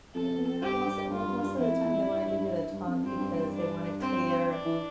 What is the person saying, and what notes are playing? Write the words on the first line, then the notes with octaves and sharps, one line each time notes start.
No, most of most of the time they wanna give you the talk because they wanna clear
F2 A4
G2 G4
G2
G2 F4
G2
G2
E2 E4
F2
E2
F2
G2
G2
G2
G2
F2
G2 C4
G2
G2
D4
C4
D4
E3